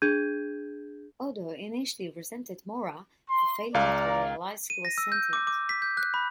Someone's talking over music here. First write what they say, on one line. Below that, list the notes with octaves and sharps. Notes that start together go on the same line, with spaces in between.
Odo initially resented Mora for failing to realize he was sentient.
D4 G#4 G6 G#6 D#7
C6
C#2 D5 F5 A#5
D#7
A#6
E6
G6
D6
D6
B6
G6
F#6
B5